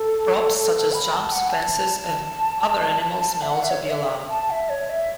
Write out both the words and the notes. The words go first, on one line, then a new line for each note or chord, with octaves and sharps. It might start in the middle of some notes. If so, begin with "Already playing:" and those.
Props such as jumps, fences and other animals may also be allowed.
Already playing: A4
B5
A5
F#5
A5
E5
F#5
E5
C#5
C#5
E5
A5
E5
C#5
E5